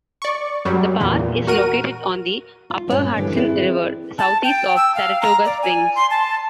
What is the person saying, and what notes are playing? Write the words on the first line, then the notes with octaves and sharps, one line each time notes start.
The park is located on the upper Hudson River southeast of Saratoga Springs.
D5 C#6
F#2 F#3 G3
E2 A#2
F#4 A#4 D#7
F4
G2 A#2 C#4 D4 C#5 G#5
G2 D3 E3 G3 G4 B4
C4 E4 G#4 B4 C5 D5
A5
G5
E6
F5
A#5
D5
G#5
C6
A5